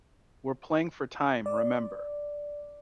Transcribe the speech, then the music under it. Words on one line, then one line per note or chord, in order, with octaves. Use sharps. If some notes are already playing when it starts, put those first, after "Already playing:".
We're playing for time, remember.
D5